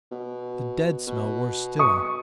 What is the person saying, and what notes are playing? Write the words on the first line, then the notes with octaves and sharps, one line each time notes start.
The dead smell worse still!
B2
B2
C#6 D#6